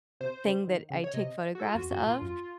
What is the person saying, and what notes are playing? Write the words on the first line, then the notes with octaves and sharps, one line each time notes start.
thing that I take photographs of,
C3 C5
C#3
D#3
C#3
C#5
C3 D#5
F#4
A4
F4
F2 F#4
F#2 F#4
A#2 F4
F#2